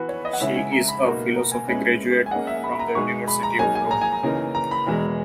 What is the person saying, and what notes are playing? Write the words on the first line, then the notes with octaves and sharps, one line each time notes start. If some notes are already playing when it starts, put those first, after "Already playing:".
She is a philosophy graduate from the University of Rome.
Already playing: E3 B3 F#4 B4
C#5
D#5
F#5
C#3 G#3 C#4 E4 E5
G#5
A#5
B5
B2 A#3 D#4 F#4 A#4
A#5
G#5
G#3 C#4 E4 B4 D#5 G#5
G#5
A#3 C#4 G#4 D#5 F#5
E5
B5
A#5
B2 G#3 D#4 G#4 B4 C#6
B5
A#5
F#3 A#3 D#4 G#4 G#5
G#5
A#5
G#5
A#5
C#3 E3 A#3 D#4
A#5
B5
E2 B2 G#3